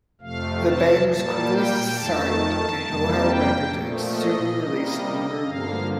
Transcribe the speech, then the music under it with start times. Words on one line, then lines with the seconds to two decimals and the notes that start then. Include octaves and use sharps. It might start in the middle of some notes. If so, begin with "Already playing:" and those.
The band was quickly signed to Hellhound Records and soon released Lunar Womb.
0.21 F2 C3 F3 A3 F5
0.64 A5
1.08 A#2 G3 A#3 A5
1.51 G5
1.94 F2 D#3 A3 A5
2.82 F2 C3 G3 A#3
3.26 G5
3.69 A#2 F3 A3
4.13 D#5
4.57 C3 G3 A#3
5.43 G2 D3 F3 A#3 F5